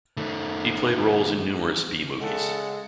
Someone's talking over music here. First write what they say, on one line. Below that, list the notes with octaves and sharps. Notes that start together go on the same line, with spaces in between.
He played roles in numerous B movies.
D#3 A3
C#3 G#3 A4 F#5